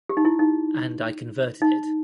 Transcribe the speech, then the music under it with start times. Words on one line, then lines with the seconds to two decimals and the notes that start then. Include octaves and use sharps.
And I converted it.
0.09 G4
0.17 D#4
0.25 E4
0.39 D#4
1.62 D#4